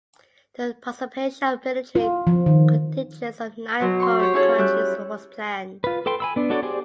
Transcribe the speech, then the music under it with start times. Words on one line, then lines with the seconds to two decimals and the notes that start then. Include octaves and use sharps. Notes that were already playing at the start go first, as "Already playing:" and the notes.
The participation of military contingents of nine foreign countries was planned.
1.96 F4
2.27 F3
2.46 D#3
3.80 B2 F#3 C5
4.00 C6 C#6
4.19 G4 C5 C#5
4.33 C#4 E4 G#4 A4 C#5
4.58 G3 E5 F#6 G6
5.84 F4 B4
6.06 A4 B4 G5 C6
6.20 G#5 B5 E6
6.36 B3 D4
6.50 D4 F#4 A4 C#5 D5
6.63 G4 G#4 C5 D5